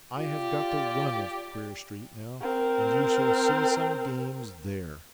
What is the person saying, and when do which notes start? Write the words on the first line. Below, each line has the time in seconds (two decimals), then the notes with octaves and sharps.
I have got the run of Queer Street now, and you shall see some games there.
0.18 F4 G4 D5
2.41 C4 A#4